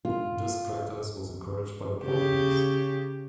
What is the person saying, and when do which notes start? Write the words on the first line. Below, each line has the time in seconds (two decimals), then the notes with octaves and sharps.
This practice was encouraged by the Portuguese.
0.05 F4
2.02 C#3 G4